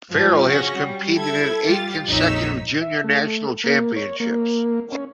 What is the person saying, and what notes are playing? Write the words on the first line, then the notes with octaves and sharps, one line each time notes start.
Farrell has competed in eight consecutive Junior National Championships.
G#2 F3
C#3 C#4 F#4 A#6
G3
E4 A4 G#6
G3 F4 G4 A6
A#1 F2 D#4 C#5 E6 B6
E5
A3
A#3
C#5
A#3
C#4